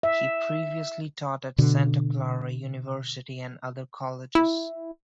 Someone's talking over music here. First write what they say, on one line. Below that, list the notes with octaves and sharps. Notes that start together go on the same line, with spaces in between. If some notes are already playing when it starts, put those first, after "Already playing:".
He previously taught at Santa Clara University and other colleges.
E5
B2 D3
E4